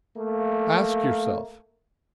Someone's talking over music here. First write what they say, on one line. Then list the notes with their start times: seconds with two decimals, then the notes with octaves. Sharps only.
Ask yourself!
0.16 A3 A#3